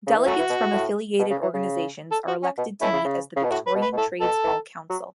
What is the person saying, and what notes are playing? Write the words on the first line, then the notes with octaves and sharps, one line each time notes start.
Delegates from affiliated organisations are elected to meet as the Victorian Trades Hall Council.
C#3
E3
F#3 A3 C#4 F#4
E3
B2
A2
A2
B2
C#3
E3
C#3
A4
F#4
C#4
B2
B2 A3 C#4 E4
C#3
C#3
C#3
B2
A2 F#4
B4
B2
B4
B2
A2 A4
B2 A4
E3
F#3